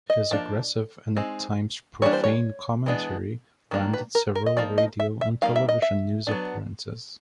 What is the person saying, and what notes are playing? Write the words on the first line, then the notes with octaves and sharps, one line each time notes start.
His aggressive and at times profane commentary landed several radio and television news appearances.
D#5
F3 A#3 D4
G#3 C4 D#4
E3 G3 A#3 D4 C#5
C5
C#5
E3 G#3 B3 D4
D#3 F#3 A#3 D4
B4
A#4
A#4
D#5
F3 A#3 D#4 D5
D#5
E5
E5
G3 A#3 D#4 F5
E5
D#5
E5
F#3 B3 D4